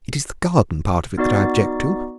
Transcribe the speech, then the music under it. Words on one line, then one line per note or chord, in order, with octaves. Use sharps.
It is the garden part of it that I object to.
B3 D#4 F#4 D5 A6